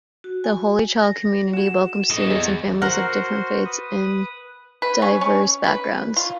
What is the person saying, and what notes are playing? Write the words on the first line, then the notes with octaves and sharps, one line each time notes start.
The Holy Child community welcomes students and families of different faiths and diverse backgrounds.
F#4
G#5
A#6
F#4 G#4 E7
A2 D#5
E2 G#4 D#5 A#5
F#4 A#4 C5 F#5 C6
B4 D#6
B4
C#4
C#4
B4
F4